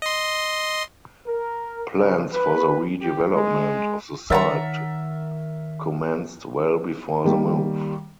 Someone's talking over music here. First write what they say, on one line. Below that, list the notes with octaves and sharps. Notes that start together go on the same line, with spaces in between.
Plans for the redevelopment of the site commenced well before the move.
D#5 C6
A#4
C#3
B4
G4
G#3
D#3 A#4 C#5 E5 F#5 A#5 A6
D#3 G3 A#3